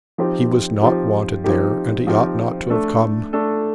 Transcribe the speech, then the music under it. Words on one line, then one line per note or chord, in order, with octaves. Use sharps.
He was not wanted there, and he ought not to have come.
F3 C4 D#4 G4
F3 C4 D#4 G4
F3 C4 D#4 G4
F3 C4 D#4 G4
A3 D4 A4
A3 D4 A4